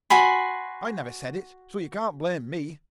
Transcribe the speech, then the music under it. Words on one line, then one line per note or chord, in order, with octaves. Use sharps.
"I never said it--so you can't blame me."
F#4 G#5 B5 C6